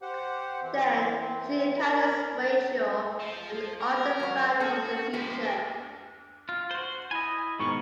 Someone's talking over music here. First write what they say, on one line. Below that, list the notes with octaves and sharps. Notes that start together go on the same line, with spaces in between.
Then she encounters Rachael, an ardent fan from the future.
G4 C5 F#5
E3 C4
A#4 B5
F3
A#4
F#3 F#4
A#3 C#4 F#4 A4
F3 G#3 G4 B4 C5
F4 A#4
F4
F#4 C5
E4 D#5 G#5
G#2 B2 D#3 C#6